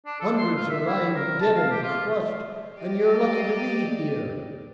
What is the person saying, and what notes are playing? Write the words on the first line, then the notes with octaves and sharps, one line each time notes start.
Hundreds are lying dead and crushed; and you are lucky to be here.
D4
A4
C6
F4
E5
E4
A#4
A5
F5
G4
F4
G4 D5 D#5